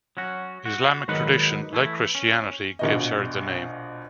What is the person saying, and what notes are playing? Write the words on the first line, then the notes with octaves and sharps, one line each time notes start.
Islamic tradition, like Christianity, gives her the name.
F#3 C#4 F#4
F#4
G#2 D#3 F#3 D#4 B4 F#5
E3 A3 E4
C#4
A#1 B2 D#5